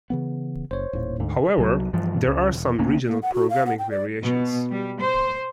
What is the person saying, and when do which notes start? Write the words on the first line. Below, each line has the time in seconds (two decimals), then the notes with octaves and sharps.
However, there are some regional programming variations.
0.10 C#3 E3 B3
0.71 F#1 C5 C#5
0.93 D#1 A2 A#3
1.20 D2 G#2 D3
1.58 C2 F#3
1.93 G2 E3 F3
2.27 C#2 C#3
2.53 E1
2.79 D2 A#3 C#4
3.05 A#3
3.23 F#5
3.34 F#4
3.50 F5
3.66 F#5
3.79 G5
3.91 D5
4.22 B2
4.71 G3
5.01 C5